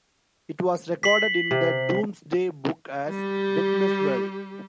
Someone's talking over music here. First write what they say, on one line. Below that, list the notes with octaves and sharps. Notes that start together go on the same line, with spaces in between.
It was recorded in the Domesday Book as Betmeswelle.
B6 C7 F#7
C3
G3 G4